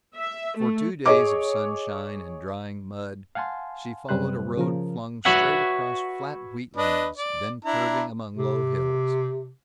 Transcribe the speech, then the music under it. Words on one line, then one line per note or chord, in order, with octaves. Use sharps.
For two days of sunshine and drying mud she followed a road flung straight across flat wheatlands, then curving among low hills.
E5
A3
G#4 C#5 D#5 D6
F5 F#5 G#5 A5 C6
F#2 C3 G3 B4 C5 F#6
C#3 F3 A#4
F#4 B4 C#5 E5 F#5
D4 B4 D#5
D5
D4 E4 A#5
C3